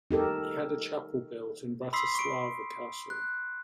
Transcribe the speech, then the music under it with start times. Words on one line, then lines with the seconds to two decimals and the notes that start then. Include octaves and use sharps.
He had a chapel built in Bratislava Castle.
0.11 D#4 G4 A4 A#4
1.93 B5 C6 D#6 E6 B6 C7
2.15 C#6 D7
3.10 F#6